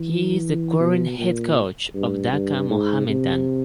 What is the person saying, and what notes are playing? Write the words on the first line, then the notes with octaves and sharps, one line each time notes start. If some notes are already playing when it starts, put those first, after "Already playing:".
He is the current Head Coach of Dhaka Mohammedan.
Already playing: E3
B2
A#2
G2
G2
G#2
C3